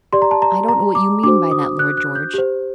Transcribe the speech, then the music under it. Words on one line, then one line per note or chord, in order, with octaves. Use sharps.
"I don't know what you mean by that, Lord George."
G4 D5 C6
A#5
A5
A#5
A#5
D6
D4 F#4 C5 D6
D#6
F#6
F#6
G6
G4 C5